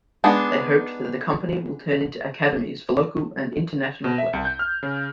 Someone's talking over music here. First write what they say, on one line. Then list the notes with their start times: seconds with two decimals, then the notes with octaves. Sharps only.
They hoped that the company will turn into academies for local and international players.
0.24 G#3 B3 D4 D#4 G#4
4.04 B2
4.18 E5
4.33 C2
4.45 G6
4.59 F6
4.83 C#3